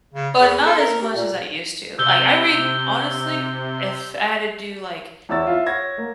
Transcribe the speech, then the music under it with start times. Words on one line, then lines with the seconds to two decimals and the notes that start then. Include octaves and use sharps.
but not as much as I used to, like, I read honestly, if I had to do, like,
0.14 C#3
0.37 E2
0.66 A4
0.79 A#4
1.02 G4
1.15 A#2
1.98 C3 E6 G6 G7
5.29 E2 E4 C#5 E6 A6
5.47 F4 E5
5.66 C#5 F#5 G#6 A#6
5.98 A#3